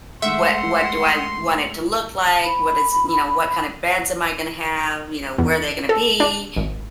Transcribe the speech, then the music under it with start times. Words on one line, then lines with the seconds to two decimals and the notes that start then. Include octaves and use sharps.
"What what do I want it to look like? What is you know, what kind of beds am I going to have, you know, where are they going to be?
0.22 G#3 A3 E5 F#5 C6
2.43 B5
5.38 E2
5.89 A4
6.20 D4
6.57 G#1